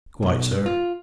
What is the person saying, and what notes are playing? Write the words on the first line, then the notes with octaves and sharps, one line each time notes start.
"Quite, sir."
B1
F4